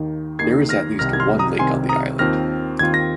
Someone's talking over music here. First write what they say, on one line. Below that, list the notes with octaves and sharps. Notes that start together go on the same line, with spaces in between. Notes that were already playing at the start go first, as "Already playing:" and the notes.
There is at least one lake on the island.
Already playing: D#2 D#3 A#3 D#4
D#2 D#3 A#3 D#4 G#6 C7
F6 A#6
C2 C3 D#3 C4 F6 A#6
G#6
C6 F6
A#5 D#6
C2 C3 D#3 C4 G#5 C6
A#5 D#6
D#2 D#3 C4 F4 F6 A#6
D#2 D#3 C4 F4 G#6
A#6